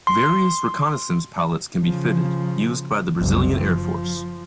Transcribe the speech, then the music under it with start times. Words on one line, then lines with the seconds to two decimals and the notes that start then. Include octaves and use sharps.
Various reconnaissance pallets can be fitted; used by the Brazilian Air Force.
0.07 C6
1.80 C#3 F3
3.17 F#1 C2
3.58 F3